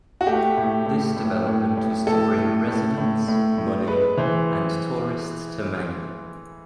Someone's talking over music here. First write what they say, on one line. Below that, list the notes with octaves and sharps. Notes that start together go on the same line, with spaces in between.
This development was to bring residents, money, and tourists to Maine.
F#4
A3 G4
A2
A2
A2
A2
A2
A2 A4
A2
A2
A2
A2
A2
G#3 B4
E3 C5